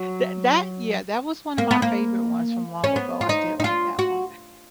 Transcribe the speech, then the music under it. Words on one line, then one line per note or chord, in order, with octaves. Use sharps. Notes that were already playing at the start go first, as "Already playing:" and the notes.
that that yeah, that was one of my favorite ones from long ago, I did like that one.
Already playing: F#3
A#3
B3
A#3
C#4
B3
F4
D#4
D#4
F4
F#4